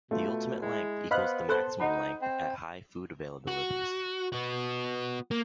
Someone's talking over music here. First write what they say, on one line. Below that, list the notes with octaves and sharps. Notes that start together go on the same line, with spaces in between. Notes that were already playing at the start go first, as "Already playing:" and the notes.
The ultimate length equals the maximum length at high food availabilities.
B2 A3 F4
G#3 E4
B3 C5 D#5 F5 B5 F6 F#6
A4 C5 A5 B5 F#6
D#4 D#5 F#5 B5
C4
F#4
B3 F#4
A#3